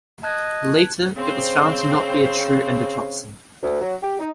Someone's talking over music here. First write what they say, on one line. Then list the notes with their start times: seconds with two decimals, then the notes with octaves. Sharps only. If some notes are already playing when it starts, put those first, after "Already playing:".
Later, it was found to not be a true endotoxin.
0.23 D#5 A5 F#6 G#6
1.17 C#3 C4 C5
3.62 D2
3.80 F#3
4.02 G4
4.19 D#4